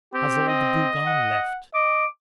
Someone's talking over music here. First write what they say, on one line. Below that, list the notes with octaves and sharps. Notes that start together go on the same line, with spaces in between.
"Has old Bougon left?"
C4 G4
D#5
F#5
D#5 D6